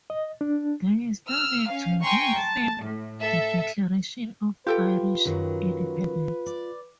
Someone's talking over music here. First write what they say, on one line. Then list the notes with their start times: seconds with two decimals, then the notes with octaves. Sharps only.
There is no need to reaffirm the declaration of Irish independence.
0.10 D#5
0.41 D4
1.30 E6 F6
1.70 C#4 F5
2.02 G5 G#5 A#5 C6 C#6
2.36 A5
2.84 A2
3.20 A4 E5
4.67 F4 G4 A4 B4 G5
5.25 F#2 D#3 F#3
6.46 D5